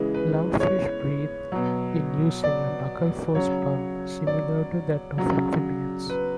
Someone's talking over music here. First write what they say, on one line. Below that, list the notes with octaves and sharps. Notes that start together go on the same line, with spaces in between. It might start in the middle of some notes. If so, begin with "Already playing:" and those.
Lungfish breathe in using a buccal force-pump similar to that of amphibians.
Already playing: C#3 E3 G#3
B4
C#5
B2 F#3
D5
C#3 F#3 C#5
D5
C#3 F#3
B4